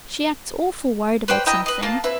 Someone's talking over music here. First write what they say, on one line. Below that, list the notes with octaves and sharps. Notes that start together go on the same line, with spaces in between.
She acts awfully worried about something.
B4 C5 D5 G5
E4 D#5 G5 A#5
B4 D#5
A#3 F4 A5
C4 E4 B4